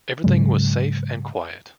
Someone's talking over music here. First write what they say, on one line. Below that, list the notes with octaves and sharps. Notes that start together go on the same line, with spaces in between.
Everything was safe and quiet.
G#2 C#3 F#3 G#3